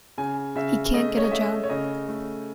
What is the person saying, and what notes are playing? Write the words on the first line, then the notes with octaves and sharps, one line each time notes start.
He can’t get a job.
C#3 G#5
C#3 E5
A3 D#5
C#5
D#5
A3 E5
C#5
C#3 D#5
A3